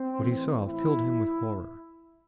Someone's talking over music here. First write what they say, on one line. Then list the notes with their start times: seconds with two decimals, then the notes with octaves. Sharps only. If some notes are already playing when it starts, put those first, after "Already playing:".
What he saw filled him with horror.
Already playing: C4
0.19 A2 E3
0.67 A2 E3 E4